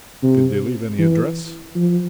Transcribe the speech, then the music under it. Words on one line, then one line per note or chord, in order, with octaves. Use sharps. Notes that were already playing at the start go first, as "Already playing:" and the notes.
"Did they leave any address?"
C3
E3
F3